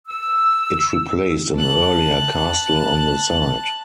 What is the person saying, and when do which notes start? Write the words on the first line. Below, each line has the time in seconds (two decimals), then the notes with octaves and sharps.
It replaced an earlier castle on the site.
0.08 E6
1.56 A5 F#6